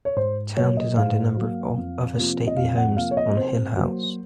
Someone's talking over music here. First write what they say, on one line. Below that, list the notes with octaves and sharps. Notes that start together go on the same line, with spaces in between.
Town designed a number of other stately homes on Hillhouse.
C#5
G#2 C5
F#3 A#3 C#5
D#5
G#2 F5
F#3 A#3
F2
C3 F3 A#3
D#5
F2 F5
F#5
C3 F3 A#3 F5
C#5
D#5
C3 C5
F#3 A#3